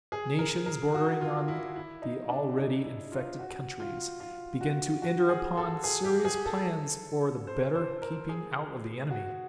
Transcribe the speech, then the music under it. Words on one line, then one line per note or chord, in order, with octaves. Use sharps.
Nations, bordering on the already infected countries, began to enter upon serious plans for the better keeping out of the enemy.
G#4
A#4
A#4
F#4
F4
E4
E4
D#4
D4
D#4
E4
F4
F#4
F4
F4
F#4
F#4
G#4
A4
G#4
G4
G#4
A4
C5
C5
A#4
G#4
F#4